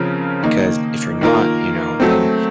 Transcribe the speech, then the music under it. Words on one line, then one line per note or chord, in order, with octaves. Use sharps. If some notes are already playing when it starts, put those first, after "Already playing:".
'cause if you're not, you know, then
Already playing: C#3 F3 C4 F4 A#4
D#3 A#3 D#4
D#3 A#3 F4 A#4
F#3 A3 C4